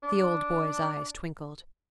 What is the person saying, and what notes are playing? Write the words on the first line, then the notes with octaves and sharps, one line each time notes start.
The old boy's eyes twinkled.
D4